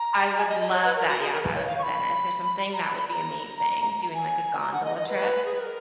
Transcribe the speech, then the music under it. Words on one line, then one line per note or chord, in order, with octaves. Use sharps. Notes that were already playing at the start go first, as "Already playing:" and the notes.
I would love that, yeah, if I was in Venice or something, that would be amazing, doing, like, a gondola trip.
Already playing: A#5
G#5
D#5
D#5
C#5
B4
A#4
F#4
G#4
A#4
B4
C#5
F5
C#6
B5
A#5
B5
B5
B5
A#5
G#5
A#5
F#5
D#5
D#5
B4
G#4
B4
A#4